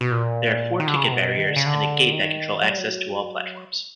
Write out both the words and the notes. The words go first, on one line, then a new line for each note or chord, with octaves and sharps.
There are four ticket barriers and a gate that control access to all platforms.
B2
A#2
D#3
D3
C#3
C3
B2
D#3
D3
C#3
D3
D#3
F#3
G3
F#3